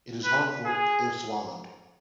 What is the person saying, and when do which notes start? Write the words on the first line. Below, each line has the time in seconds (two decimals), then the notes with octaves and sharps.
It is harmful if swallowed.
0.25 B4
0.66 G#4